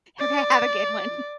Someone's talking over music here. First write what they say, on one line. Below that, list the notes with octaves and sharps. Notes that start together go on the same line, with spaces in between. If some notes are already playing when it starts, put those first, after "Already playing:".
Okay, have a good one.
D5